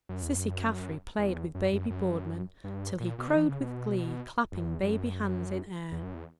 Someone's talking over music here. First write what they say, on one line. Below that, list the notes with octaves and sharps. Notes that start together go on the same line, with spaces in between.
Cissy Caffrey played with baby Boardman till he crowed with glee, clapping baby hands in air.
F#2
E2
F#2
E2
F#2
F#2
F#2
G2
A#2
B2
D3
E3
C#3
B2
F#2
E2
F#2
E2
F#2
E2